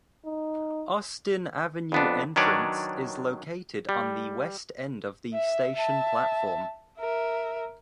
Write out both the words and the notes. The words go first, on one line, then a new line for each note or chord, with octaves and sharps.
Austin Avenue Entrance is located on the west end of the station platform.
D#4
F2 B3 D4
D#3 F#3 D4 B4 C#5 D5
G3
E5
E5 A5
A#4 E5